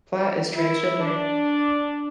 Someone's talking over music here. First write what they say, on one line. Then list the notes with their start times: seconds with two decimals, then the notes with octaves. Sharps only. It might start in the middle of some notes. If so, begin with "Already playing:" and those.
Platt is transgender.
0.54 E4
1.03 D4